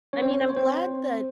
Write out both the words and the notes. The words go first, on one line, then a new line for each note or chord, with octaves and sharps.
I mean, I'm glad that
C#4 C#5
C4 C5
C#4 C#5
C5
C#5
C4 C5